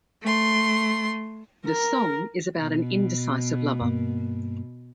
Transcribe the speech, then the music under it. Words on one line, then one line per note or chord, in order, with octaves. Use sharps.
The song is about an indecisive lover.
A3 C6
A#4
B2
G2 A#3